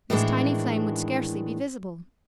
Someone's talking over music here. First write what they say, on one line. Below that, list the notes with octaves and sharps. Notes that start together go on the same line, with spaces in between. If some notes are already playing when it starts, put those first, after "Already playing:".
This tiny flame would scarcely be visible.
A2 D#3 E3 G#3 D4